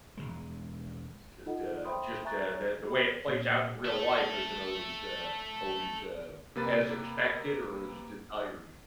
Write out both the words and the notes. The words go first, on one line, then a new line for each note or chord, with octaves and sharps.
Yeah, it's just, uh just, uh, the the way it plays out in real life isn't always, uh always, uh, as expected or as desired.
E1 E2 G#3
D#4 F4 A4 D#5 F#5
C5 E5 G5 B5 C6 D#6
E5 G#5 A#5 C#6 F#6 A6
G4 A4 B5
A#2
A4 E5
C3 A#3 B4 A6